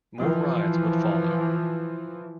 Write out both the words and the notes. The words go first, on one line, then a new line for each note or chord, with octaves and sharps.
More rides would follow.
E3 F3